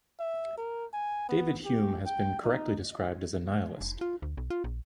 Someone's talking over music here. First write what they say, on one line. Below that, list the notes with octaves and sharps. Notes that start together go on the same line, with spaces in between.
David Hume has been correctly described as a nihilist.
E5
A#4
G#5
B3
G4
G5
D#4
F1
F4
D2
B1
F4
A#1